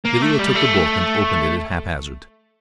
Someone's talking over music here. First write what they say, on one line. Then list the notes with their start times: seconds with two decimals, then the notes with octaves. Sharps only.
Villiers took the book, and opened it at haphazard.
0.05 A#3
0.22 A3
0.39 G3
0.55 A3